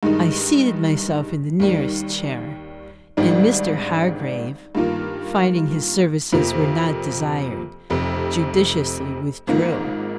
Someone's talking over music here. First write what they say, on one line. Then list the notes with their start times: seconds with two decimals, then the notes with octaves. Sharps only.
I seated myself in the nearest chair; and Mr. Hargrave, finding his services were not desired, judiciously withdrew.
0.03 G2 D#3 G#3 D#4
1.60 D#2 D#3 G3
3.17 G#1 G#2 D#3 G3 D4
4.75 G2 D#3 A#3 F4
6.33 F2 C3 F3 A#3
7.90 F1 F2 C3
9.47 G#1 G#2 F3 A#3 D#4